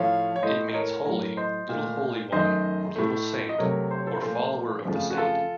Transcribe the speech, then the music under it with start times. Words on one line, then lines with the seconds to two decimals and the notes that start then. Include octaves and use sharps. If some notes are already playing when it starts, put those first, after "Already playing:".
It means "holy", "little holy one" or "little saint", or "follower of the saint".
Already playing: A2 F3 A3 C#5 F5
0.36 C#5
0.43 A2 A3 C5 D#5
0.68 D#5
0.74 A#4 C#5
1.05 A2 F#3 A3 A#4 C#5
1.37 C5 D#5
1.69 A#2 A3
2.32 F#2 D#3 A3 C5 D#5
2.96 A2 A3
3.49 D#5
3.58 C3 F#3 A3 A#4 C#5
3.91 C5
3.98 C#5
4.07 A4 C5
4.22 A#2 F3 A3 A4 C5
4.85 F2 C#3 F3 A3
5.10 F#4
5.17 F4 A4